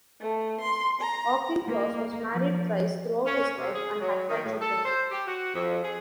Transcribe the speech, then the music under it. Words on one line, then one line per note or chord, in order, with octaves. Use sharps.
Auchincloss was married thrice throughout his life and had five children.
A3
C6
A#5
A#3
F3
C#4
C3
G#4
F#3
D#3
A2
A4
C5
G4
F#4
F2
G#4